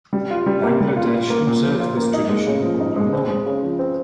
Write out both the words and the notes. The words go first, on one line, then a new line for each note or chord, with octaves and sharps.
Bangladesh observed this tradition all along.
G3
F4
G3
A#3
G3
F4
F4
A#3
A#2
F3
F4
A#3
D#4
G#3
C#3
F3
D#4
G#3
C4
G#3
C#3
F3
C4